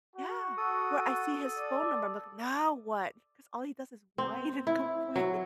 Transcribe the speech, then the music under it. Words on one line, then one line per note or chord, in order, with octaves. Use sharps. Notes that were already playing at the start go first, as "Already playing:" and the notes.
yeah, where I see his phone number, I'm like, "Now what?" Because all he does is whine and complain.
F#4
A4 D#6
D5
C4
E4
F#3